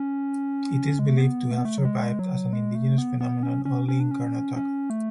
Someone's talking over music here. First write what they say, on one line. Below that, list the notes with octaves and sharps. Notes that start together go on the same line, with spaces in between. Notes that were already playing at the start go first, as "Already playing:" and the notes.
It is believed to have survived as an indigenous phenomenon only in Karnataka.
Already playing: C#4
G#3
A3
B3
A3
B3
A3
F#3
G#3
F#3
G#3
A3
B3
B3
C#4
C#4
C#4
D4
C#4
C#4
A3